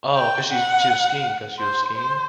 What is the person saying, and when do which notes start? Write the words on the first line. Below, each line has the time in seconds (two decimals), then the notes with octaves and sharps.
Oh, 'cause she's she was skiing 'cause she was skiing?
0.16 G5
0.52 F#5
1.59 C5
1.95 C5